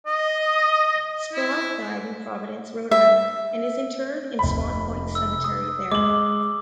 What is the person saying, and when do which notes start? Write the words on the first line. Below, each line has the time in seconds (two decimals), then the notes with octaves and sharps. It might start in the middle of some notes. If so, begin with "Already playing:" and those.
Sprague died in Providence, Rhode Island, and is interred in Swan Point Cemetery there.
0.06 D#5
1.32 E4
2.91 E5
4.39 F1 B5
5.15 E6
5.44 D#6
5.92 G#3 D6 F#7